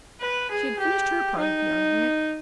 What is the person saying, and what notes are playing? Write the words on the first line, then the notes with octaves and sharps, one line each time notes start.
She had finished her part of the argument.
B4
G#4
G4
D#4